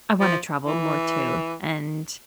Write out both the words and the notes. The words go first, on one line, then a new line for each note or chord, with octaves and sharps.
I wanna travel more, too, and
F3
E3